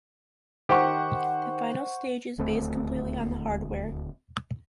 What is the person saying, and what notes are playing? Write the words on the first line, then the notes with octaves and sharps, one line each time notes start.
The final stage is based completely on the hardware.
D#3 G4 C5 F#5 C#6
D#1 D2 A3 C4